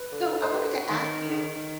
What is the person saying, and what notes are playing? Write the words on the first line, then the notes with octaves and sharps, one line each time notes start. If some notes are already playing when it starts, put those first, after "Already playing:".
So I wanted to ask you,
Already playing: B4
D3
C5
B4
C#5
D#3
D#3